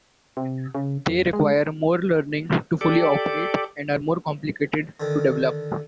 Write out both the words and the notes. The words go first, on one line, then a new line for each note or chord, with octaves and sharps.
They require more learning to fully operate and are more complicated to develop.
C3
C#3
F2
G#3
G4 A4 D5
D3 D#3